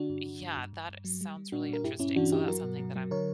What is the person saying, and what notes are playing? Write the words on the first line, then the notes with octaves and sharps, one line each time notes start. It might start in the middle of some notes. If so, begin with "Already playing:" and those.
Yeah. That sounds really interesting, so that's something that I'm
Already playing: D3 D4 F#4
G2
G2
G2
G2
G2
G2
F#3
G3
G3
A#2 D4 F#4
A#2 A#4
G2 E4 G4
G2 C#4 E4
E3 D4 F#4
G2 E4 G4
F#3 F#4 A#4
B2
F#3
F#3
D3 A#4 C#5